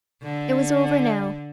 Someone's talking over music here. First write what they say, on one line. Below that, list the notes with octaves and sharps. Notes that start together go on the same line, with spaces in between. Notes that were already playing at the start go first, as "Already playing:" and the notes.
It was over now.
D3